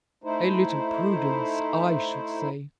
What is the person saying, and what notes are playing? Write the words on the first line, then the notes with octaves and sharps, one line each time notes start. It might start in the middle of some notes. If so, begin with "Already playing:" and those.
"A little prudence I should say."
A3 D#4 E4 C5